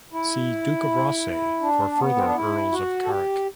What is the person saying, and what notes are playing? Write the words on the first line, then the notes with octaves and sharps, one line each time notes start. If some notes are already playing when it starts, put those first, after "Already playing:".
See Duke of Rothesay for further Earls of Carrick.
E4
D4
B3
C4
D4
E4
F#4
A4
G4